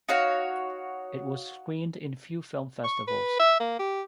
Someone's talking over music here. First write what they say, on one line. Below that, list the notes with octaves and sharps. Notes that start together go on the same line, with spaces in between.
It was screened in few film festivals.
D#4 F#4 C#5 F5
C#6
B4
E5
A#3
G4